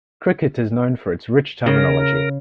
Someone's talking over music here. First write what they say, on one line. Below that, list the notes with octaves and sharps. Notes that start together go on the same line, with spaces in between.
Cricket is known for its rich terminology.
C#3 A#4